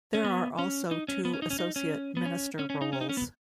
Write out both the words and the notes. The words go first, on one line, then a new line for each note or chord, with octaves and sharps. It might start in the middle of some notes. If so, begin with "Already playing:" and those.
There are also two Associate Minister roles.
C#4
B3
C#4
D#4
C#4
B3
C#4
D#4
C#4
D#4
C#4
B3
C#4
C#4
C#4
D#4
C#4
D#4
C#4
B3